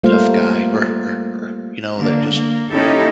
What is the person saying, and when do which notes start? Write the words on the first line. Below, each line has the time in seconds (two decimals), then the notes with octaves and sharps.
tough guy, you know, that just
0.03 G3 A3 A#3 F4 C5 F5
1.99 D3 A#3
2.32 A#3
2.70 A#3 C#4 D#4 E4 G4 A4